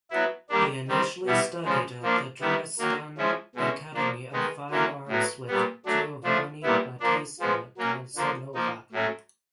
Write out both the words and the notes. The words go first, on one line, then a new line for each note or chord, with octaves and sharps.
He initially studied at the Dresden Academy of Fine Arts with Giovanni Battista Casanova.
F#3 B3 E4
D#3 G3 A#3 D4
D#3 G3 C4
B2 G3 B3 E4
C#3 F3 G#3
F3 A#3 D4
D#3 G3 B3 E4
D#3 F#3 A#3
F3 G#3 C#4 E4
B2 G#3 C#4 E4
F3 A#3 D4
D#3 G#3 B3 D#4
D3 F#3 A#3 C#4 E4
A2 F#3 B3
A#2 G3 B3
F#3 A3 D4
F3 A3 D4
A#2 G3 B3 E4
F3 A#3 D4
F3 G#3 B3
F#3 A#3 C#4
D3 F3 A#3
F3 A#3 D#4
A2 F#3 A3 C#4